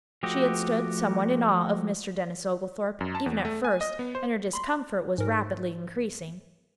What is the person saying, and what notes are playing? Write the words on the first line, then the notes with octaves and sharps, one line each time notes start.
She had stood somewhat in awe of Mr. Denis Oglethorpe, even at first, and her discomfort was rapidly increasing.
F3 A3 F#4 G4 D#5
F#2
A5
E2
A3
G#5
D#5
B3
C5
B5 C6
G#2 A#4